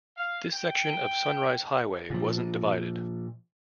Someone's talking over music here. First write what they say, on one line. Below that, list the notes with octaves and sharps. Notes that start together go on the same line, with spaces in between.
This section of Sunrise Highway wasn't divided.
F5
G5
A#2 F3